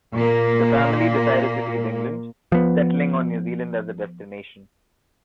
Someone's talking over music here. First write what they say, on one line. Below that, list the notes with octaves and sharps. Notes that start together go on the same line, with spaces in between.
The family decided to leave England, settling on New Zealand as a destination.
A#2 A#3
F3 B3